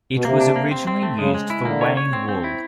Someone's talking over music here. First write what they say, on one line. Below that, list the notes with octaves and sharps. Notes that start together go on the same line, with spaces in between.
It was originally used for weighing wool.
B2
C3 A#3
D4
A#3
C4
C4
A3
C#3 G#3
G#3
E4
D3 A#3
C#5
C#5
C4
C4
E4